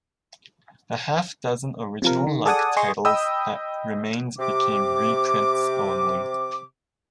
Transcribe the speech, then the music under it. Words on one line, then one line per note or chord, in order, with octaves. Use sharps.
The half-dozen original Lug titles that remained became reprints-only.
C3 F3 A#4
D#3
G#4 A4 D5 F#5 G#5 D#6
G#4 D#5 C6 C#6
D#5 G5 B5 D#6 E6
C3 D6